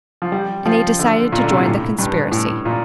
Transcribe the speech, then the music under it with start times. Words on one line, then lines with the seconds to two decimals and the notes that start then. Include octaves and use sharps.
And they decided to join the conspiracy.
0.22 F3
0.32 G3
0.66 F3
0.99 D3
1.32 A#2
1.43 D3
1.50 C3
1.58 A#2
1.66 A2
1.99 G2
2.32 A2
2.65 A#2